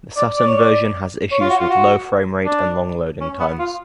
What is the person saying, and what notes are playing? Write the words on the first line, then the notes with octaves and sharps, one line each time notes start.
The Saturn version has issues with low frame rate and long loading times.
D5
D5
C#5
D5
C#5
F4
F#4
F4
F#4
D4
C#4
B3
F4